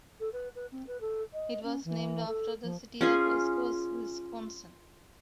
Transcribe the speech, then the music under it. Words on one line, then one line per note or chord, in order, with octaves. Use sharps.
It was named after the city of Oshkosh, Wisconsin.
A4
B4
B4
C4
B4
A4
D#5
C#4
E3
A4
F3
C#4 F4 G#4